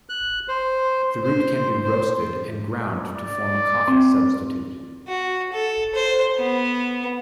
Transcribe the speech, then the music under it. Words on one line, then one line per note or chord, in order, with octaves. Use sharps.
The root can be roasted and ground to form a coffee substitute.
F#6
C5
C5
C5
D5
C4
F#4
A4
C5
B3